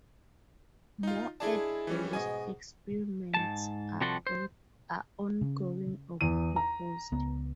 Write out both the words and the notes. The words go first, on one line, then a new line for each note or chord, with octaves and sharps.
More Earth-based experiments are ongoing or proposed.
D#4 F4
G#3 D4 E4 G#4 A5
E3 G3 C#4
G#2 B2 D#5 G#5
G#2 G#3 A5
C3 F3 G3 F#4 A4 C6
C5
C#3
E2 D#7
A#5
C#2 B3